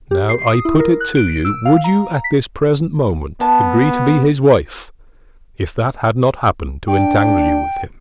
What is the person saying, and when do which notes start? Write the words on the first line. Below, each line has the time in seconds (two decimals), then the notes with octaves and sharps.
"Now, I put it to you: would you at this present moment agree to be his wife if that had not happened to entangle you with him?"
0.11 G4
0.29 C7
0.49 D#6
0.65 E4
0.79 A#4
1.00 F#6
1.17 D7
1.45 E6
1.65 F5
1.84 A#5
2.24 B6
3.41 B3 A5
6.88 D4 G5